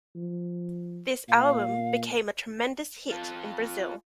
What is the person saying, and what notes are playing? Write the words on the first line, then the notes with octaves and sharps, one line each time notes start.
This album became a tremendous hit in Brazil.
F3
A#2 F5
F4 A4